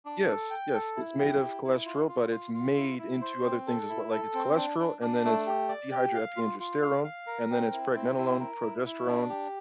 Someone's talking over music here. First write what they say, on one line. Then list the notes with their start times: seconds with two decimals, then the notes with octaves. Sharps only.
Yes yes, it's made of cholesterol, but it's made into other things as well, like it's cholesterol and then it's dehydroepiandrosterone and then it's pregnenolone, progesterone,
0.05 D4
0.28 A4
0.50 G5
0.74 A4
0.96 E4
1.19 G4
1.40 E4
1.64 E4
1.86 F4
2.08 F4
2.31 F4
2.54 F4
2.77 E4
2.99 E4
3.21 C5
3.44 C4
3.67 A4
3.89 E4
4.11 A4
4.34 C4
4.57 D4
4.79 D4
5.01 D4
5.25 A3
5.46 G4
5.69 D5
5.91 G4
6.14 F5
6.36 F4
6.60 F4
6.82 F5
7.04 F5
7.27 A#4
7.50 C4
7.73 E4
7.95 C4
8.17 E4
8.40 A#4
8.62 E4
8.85 E4
9.07 D4
9.30 G4